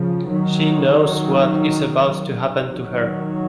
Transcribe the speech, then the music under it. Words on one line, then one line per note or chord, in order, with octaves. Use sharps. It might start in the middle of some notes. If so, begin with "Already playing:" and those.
She knows what is about to happen to her.
Already playing: C#3 F3
D#3 F#3
D#3 F#3